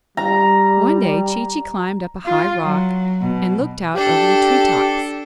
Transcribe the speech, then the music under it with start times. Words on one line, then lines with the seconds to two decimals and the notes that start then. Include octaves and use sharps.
One day Chee-Chee climbed up a high rock and looked out over the tree-tops.
0.17 G3 A#5
2.26 F4
2.63 F#3
3.22 B2
3.95 D4 G4 A4